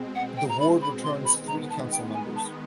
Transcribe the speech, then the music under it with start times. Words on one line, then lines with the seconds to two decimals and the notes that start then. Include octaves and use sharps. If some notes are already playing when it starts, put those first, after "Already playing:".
The ward returns three council members.
Already playing: B2 G#3 C4
0.15 F#5
0.37 G5
0.49 A#5
0.59 B5
0.82 B5
1.03 C6
1.25 D#3 G#3 B3 B5
1.47 A#5
1.70 A5
1.91 G5
2.14 G#5
2.36 A5